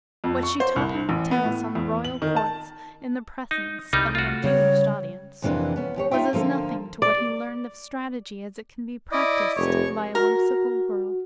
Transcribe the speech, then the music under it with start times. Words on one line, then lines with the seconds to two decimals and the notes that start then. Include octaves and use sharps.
What she taught him of tennis on the royal courts, in the presence of an amused audience, was as nothing to what he learned of strategy as it can be practiced by a whimsical girl.
0.24 F2
0.43 C#6
0.60 C5
0.76 C2
1.09 A1
1.31 B3
1.45 A2
1.75 E2
2.04 F#7
2.22 D#3
2.36 A5
3.51 D#4
3.93 C2 G3 D#4
4.15 F4 F#4
4.44 C#3 G3 C#5
5.42 F2 C3 E3 A#3 D4
5.76 B3 C#4
5.96 D#2 G4 C#5
6.11 D#4 F4 E5 G5
6.33 D3 F3 A#3 A4
7.02 D5
9.12 E4 D5 D#5
9.56 F1 C#5 C#6
10.15 F#4 A#4